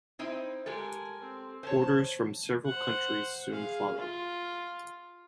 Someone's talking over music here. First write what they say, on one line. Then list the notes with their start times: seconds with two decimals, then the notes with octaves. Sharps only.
Orders from several countries soon followed.
0.19 C4 D#4 E4
0.66 G#3 G4 A4 A#4 G#5
1.21 C4
1.63 C5 C#5 A5
2.66 C5 F#5
3.51 G#4 F5
3.97 F4